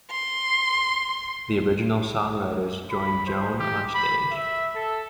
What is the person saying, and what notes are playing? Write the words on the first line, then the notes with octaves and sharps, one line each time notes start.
The original songwriters join Joan on stage.
C6
B5
C5
G4
B5
E5
A4